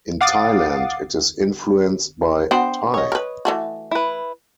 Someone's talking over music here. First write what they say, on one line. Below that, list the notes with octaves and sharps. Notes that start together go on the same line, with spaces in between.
In Thailand, it is influenced by Thai.
F5 F#5 D6 D#6 A6 C7
B3 D4 F#4 C5 G5
C#5 D#5
A#4 B4
E3 A3 F#4
E4 B4